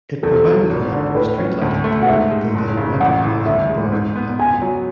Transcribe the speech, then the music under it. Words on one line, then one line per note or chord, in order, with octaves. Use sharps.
It provided electric street lighting throughout the then Metropolitan Borough of Hackney.
E2 A4
F#3
G#1
D3
A2 B4
C#4
D2
A3
F#5
G#2 E5
G#3
F#1
C#3
A1 F#5
E3
D2 E5
G#3
G#2
B3
C#2 G#5
F#3